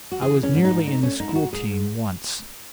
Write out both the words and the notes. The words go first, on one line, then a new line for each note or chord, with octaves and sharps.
I was nearly in the school team once.
F#4
E3 G#4
C#4
G#2
D#4
A3 D#4
C#4
G#2 D#4
E4
F#4
G#2 G#4